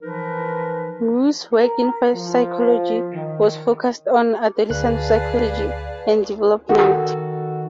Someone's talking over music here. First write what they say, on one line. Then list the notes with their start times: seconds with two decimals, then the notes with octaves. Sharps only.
Muuss’ work in psychology was focused on adolescent psychology and development.
0.02 E3 F3 D#4 A#4 B4
1.60 A#4
2.15 F3
3.14 D#3
4.70 D2 G#4 B4 D5 F5 A5 F#6
6.69 D#3 F#4 A4